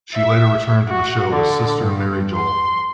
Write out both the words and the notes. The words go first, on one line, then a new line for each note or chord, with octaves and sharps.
She later returned to the show as Sister Mary Joel.
E5
F#4
D3
G2
C6